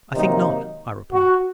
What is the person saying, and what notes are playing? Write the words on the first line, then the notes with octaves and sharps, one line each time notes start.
"I think not," I replied.
C3 D#3 F#3 A#3 D#4
F#4